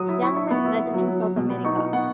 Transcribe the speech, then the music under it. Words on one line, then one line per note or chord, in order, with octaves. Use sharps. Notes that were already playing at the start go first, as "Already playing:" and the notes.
Young men threatening South America!
Already playing: F#3 D#6
E4
E4 C#6
E4
B3
E4
B3
F#3
F#3
F#3
B2
B3
D#4 C#6
D#4
B3 F#5